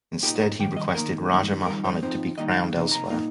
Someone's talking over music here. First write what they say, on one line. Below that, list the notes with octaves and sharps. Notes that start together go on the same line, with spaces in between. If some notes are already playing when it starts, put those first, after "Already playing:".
Instead, he requested Raja Muhammad to be crowned elsewhere.
A#2 A#3 D#4 G4
A#4
F2 D#3 G3 G5
D#5
D#2 D#3 A#3 A#4
G2 D#3 G3 A#3
F2 D#3 G3 A#4
C5
F2 F3 C4 D#4 C5
D#2 D#3 G3 A#3 D#4 D#5
F5
F2 C3 A#3 D#4
A#5
A#2 A#3 D#4